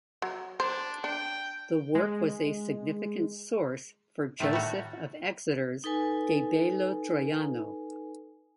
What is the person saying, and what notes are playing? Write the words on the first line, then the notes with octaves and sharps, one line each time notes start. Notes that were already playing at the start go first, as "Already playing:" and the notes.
The work was a significant source for Joseph of Exeter's "De bello Troiano".
F#3
D4 C5
D4 G5
G#3
A2 D#3 A3 E5
G3 F#4
D#4 A4 B4 G#5